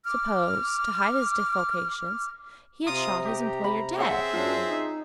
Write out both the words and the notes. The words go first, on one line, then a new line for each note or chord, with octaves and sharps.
Suppose, to hide his defalcations, he had shot his employer dead?
D6 F6
C3 F4 A#5 D#6
G4
E5 B5
C4 G#4 C#5 E5 F#5
F#2 F#3 D4 F4
D#4